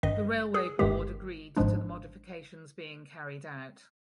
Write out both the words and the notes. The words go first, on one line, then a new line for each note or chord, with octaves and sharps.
The Railway Board agreed to the modifications being carried out.
G#1 G2 D#3 D#5
G#4
G1 G2 D#3 G#3 G4
G#1 G#2 F3 G#3 D4